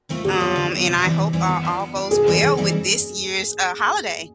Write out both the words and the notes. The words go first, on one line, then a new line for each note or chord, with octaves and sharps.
um, and I hope a all goes well with this year's, uh, holiday.
A3 C4 F4 A#4
D3 G4
F#3 B3
D3
F#3 B3
C3
E3 G3 C4
C3
E3 G3 C4
B3
D4 F4
B3
D4 F4
C3 G#4
E3 G3 C4 D#4
G#4
C3
E3 G3 C4 D#4